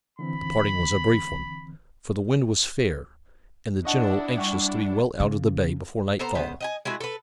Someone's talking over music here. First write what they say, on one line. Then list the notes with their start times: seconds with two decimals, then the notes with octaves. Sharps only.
The parting was a brief one, for the wind was fair, and the general anxious to be well out of the bay before nightfall.
0.19 D3 E3 C4 B5
3.85 D4 E4 D#5 F#5 A5 C#6
4.38 G3 F#5 C#6
5.20 C#3
6.19 B3 A4 C5 A#5
6.35 C#3 B3 C5
6.61 D#5 G5 G#5
6.85 G#3 A3 E4 F#4
7.00 A4 B4